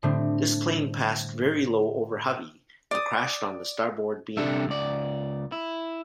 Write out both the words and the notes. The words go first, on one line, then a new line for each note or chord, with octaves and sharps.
This plane passed very low over "Hovey" and crashed on the starboard beam.
A2 D3 G3 A3 C4 D4
D5 D#6
C3 G3 D4 A4 E5
C#2 D5
E4